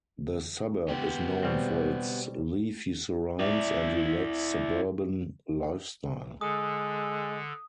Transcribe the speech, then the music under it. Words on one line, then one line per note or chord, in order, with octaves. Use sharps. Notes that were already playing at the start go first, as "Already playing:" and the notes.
The suburb is known for its leafy surrounds and relaxed suburban lifestyle.
B3 G4
B2 G3 C4
E4 D5
D3 G#3 A4 D#6